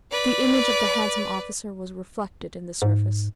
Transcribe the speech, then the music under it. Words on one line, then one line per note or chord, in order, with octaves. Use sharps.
The image of the handsome officer was reflected in the surface.
B4 D5
G#2